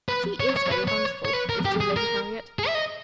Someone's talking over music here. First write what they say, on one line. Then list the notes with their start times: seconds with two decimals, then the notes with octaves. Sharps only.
She is very fanciful, is dear Lady Harriet!
0.09 B4
0.40 C#5
0.56 C#5
0.72 B4
0.88 C#5
1.25 C#5
1.33 B4
1.49 A#4
1.65 G4
1.81 G#4
1.96 A#4
2.59 G#4
2.67 E5
2.75 D#5